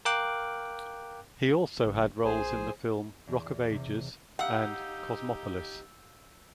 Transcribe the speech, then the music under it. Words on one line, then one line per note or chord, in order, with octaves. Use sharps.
He also had roles in the film "Rock of Ages" and "Cosmopolis".
A#4 F5 G5 D6 F#6
F#1
A#1 G#4 C5 G#5
E2
C3
D#4 G4 F5 F#5 E6 G6